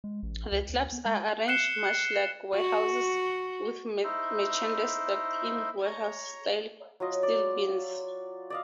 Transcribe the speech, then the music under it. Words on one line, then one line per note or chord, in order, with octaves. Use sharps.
The clubs are arranged much like warehouses, with merchandise stocked in warehouse-style steel bins.
G#3
A1
C#2
D2
B3
G#3
F#6 C7 C#7 E7 G7
F#4
D#4 E4 C5
C#5 A#5
F#3 F4 D#5
D5
D5 D#5 F5